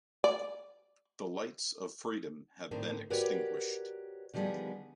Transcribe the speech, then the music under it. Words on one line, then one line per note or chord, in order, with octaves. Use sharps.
The lights of freedom have been extinguished.
D5
A2 D3 D#3 C4
F#4 G4 A#4 B4 C#5 D5
D3 D#3 F3 G3 B3 G#4